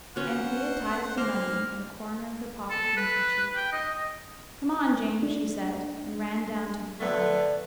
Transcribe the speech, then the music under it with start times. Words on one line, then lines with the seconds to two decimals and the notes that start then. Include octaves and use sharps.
Anthea tied up the money in a corner of her pocket-handkerchief. 'Come on, Jane!' she said, and ran down to the farm.
0.16 B3 C#4 F#4 C5 F#5
1.17 A#3 C5 A#5 F6
2.70 A4
2.97 B4
3.56 G5
3.72 D#5
5.23 D4
7.00 D3 A3 B3 D5